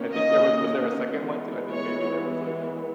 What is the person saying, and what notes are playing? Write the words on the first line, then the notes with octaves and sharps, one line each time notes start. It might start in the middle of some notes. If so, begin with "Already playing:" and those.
I think there was was there a second one too? I think maybe there was, like, a
Already playing: D#3 A#3 C#4
D#5
E3 G#3 B3
C#5